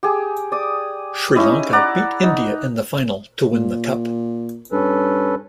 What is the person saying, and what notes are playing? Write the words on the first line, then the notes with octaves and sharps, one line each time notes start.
Sri Lanka beat India in the final to win the cup.
G4 G#4
D5 D#6
C#4 D#4 E4 D#5
D5 F#5 A#5
D#4
A#2
G2 C#4 A4 B4